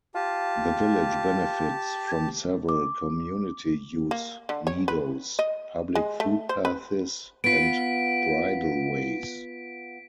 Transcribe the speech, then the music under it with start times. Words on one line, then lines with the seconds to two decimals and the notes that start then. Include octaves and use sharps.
The village benefits from several community use meadows, public footpaths and bridleways.
0.15 F4 G4 A5
2.69 D6
4.11 A#3
4.49 D3
4.67 C#5
4.88 B4
5.39 D#5
5.95 G#3
6.20 A3
6.49 C5
6.65 B4
7.44 B3 F4 B6 D7